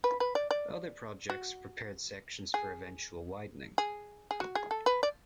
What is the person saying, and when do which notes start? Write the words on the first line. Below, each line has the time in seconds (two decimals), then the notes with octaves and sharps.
Other projects prepared sections for eventual widening.
0.04 B4
0.20 B4
0.35 D5
0.51 D5
1.30 F#4
2.54 G#4
3.78 G#4
4.31 G#4
4.40 F#4
4.55 G#4
4.71 A4
4.86 B4
5.03 D5